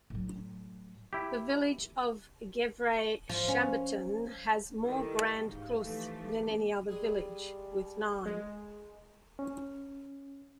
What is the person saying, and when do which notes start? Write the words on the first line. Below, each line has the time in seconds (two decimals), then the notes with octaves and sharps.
The village of Gevrey-Chambertin has more Grand Crus than any other village, with nine.
0.10 A2 F#3
1.13 E4 G4
3.29 F3
3.48 C#4
4.84 D#3 G3 E4 A4
5.50 G#2 D#4 G4 F5
5.80 E3 F3 A3
6.27 G#3 A#3 D6
6.89 G3 G#3 G#4
8.26 G#3
9.39 C#4